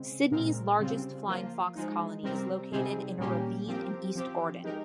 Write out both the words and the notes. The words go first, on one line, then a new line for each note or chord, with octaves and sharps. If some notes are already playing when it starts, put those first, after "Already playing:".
Sydney's largest flying fox colony is located in a ravine in East Gordon.
Already playing: C#3 G#3 C4
A#2 G#3 C4 F4 A#4
C#3 G3 C4 F4
F3 A#3 F4
F3 G#3 D#4
C3 G3 C4 G4 A#4
C3 G3 C4 D#4 G#4
A#2 G3 A#3 C#4 G4
F3 C4 G4 A#4
F3 C4 G4
G#3 D#4 G4 A#4